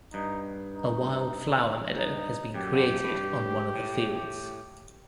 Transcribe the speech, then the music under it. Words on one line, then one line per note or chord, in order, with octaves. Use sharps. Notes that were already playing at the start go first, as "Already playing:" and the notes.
A wild flower meadow has been created on one of the fields.
G2 D#4
D#4
G2 D#4
F#2 G4
D3
C3
A#2
A2
G2
A2